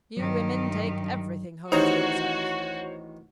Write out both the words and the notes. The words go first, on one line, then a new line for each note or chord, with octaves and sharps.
You women take everything home to yourselves.
G2 D#3 F#3
A1 D#3 D#4 F#4 G4 C5 C#5 A#5